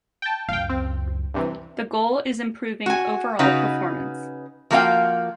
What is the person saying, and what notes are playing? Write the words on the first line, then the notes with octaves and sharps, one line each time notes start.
The goal is improving overall performance.
G5 A5
C#2 F#2 F5 G5
C4
G2 C3 E3
F#4 G#5
C#3 D#4 F#4 B4 D#5
F3 A#3 F#4 G#4 F5 G5